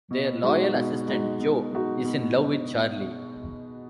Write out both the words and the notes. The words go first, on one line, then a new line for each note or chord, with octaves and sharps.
Their loyal assistant, Joe, is in love with Charlie.
B2
G#3 D#4 F#4
B2
G#3 D#4 F#4
B2
G#3 D#4 F#4
B2